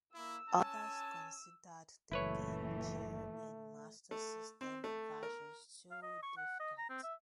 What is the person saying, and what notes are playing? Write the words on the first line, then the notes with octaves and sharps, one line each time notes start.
Others considered the Game Gear and Master System versions too difficult.
A#3 E4 E6
C#4 G#5 A5
F#1 A#2 E3 A3 E4 B4 C#5
A3
C4
A3
A#4
F5
D#5
C#6
F#5
D#5
A#5
C4
E5